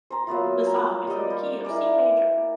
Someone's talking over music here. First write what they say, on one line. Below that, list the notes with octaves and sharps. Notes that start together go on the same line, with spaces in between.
The song is in the key of C major.
C5 A#5
F#3 A#3 B3 F4
A#5
G3 D5 D#5
G3
E4 G#4 A#4 D5